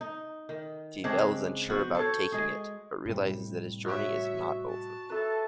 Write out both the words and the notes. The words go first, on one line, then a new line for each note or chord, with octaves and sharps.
Fievel is unsure about taking it, but realizes that his journey is not over.
D#4
D#3
C#3 G#3 C4 D4
B3 F#4 C5
A4 C5 C#5
G#3 G#4
A2 C3 G3
F#4 C#5 D#5 E5
A5
A4 B4 E5